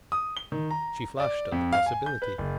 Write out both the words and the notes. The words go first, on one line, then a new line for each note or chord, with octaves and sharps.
She flushed at the possibility.
D#6
G7
D#3
A#5
D5
F2
F5
G#5
G6
B4
F#1